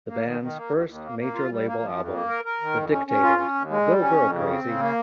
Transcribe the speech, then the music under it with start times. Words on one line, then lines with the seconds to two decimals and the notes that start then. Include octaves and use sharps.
The band's first major-label album, The Dictators Go Girl Crazy!
0.09 A#3
0.25 D#3
0.41 D#3
0.56 A#3
0.72 D#2
0.87 D#2
1.04 A#3
1.19 A#3
1.34 F4
1.51 G3
1.67 A#3
1.81 F3
1.97 F2
2.13 A#3
2.29 A#4
2.45 A#4
2.61 D#3
2.76 F2
2.92 C#4
3.07 C#4
3.23 F4
3.39 C#4
3.55 D#2
3.70 G#3
3.86 G3
4.01 C#4
4.17 F2
4.33 C#3
4.49 C4
4.64 C#3
4.80 A#3